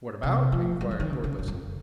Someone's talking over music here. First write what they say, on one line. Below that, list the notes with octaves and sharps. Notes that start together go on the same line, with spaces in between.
"What about?" inquired Porthos.
C3
F3
G3
F3
D#3
C#3
C#3
G2
F2